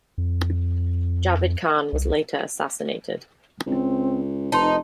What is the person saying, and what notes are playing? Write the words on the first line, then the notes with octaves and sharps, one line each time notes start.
Javid Khan was later assassinated.
F2
C2
C#2 C4
F1 D#4 B4 A5 C6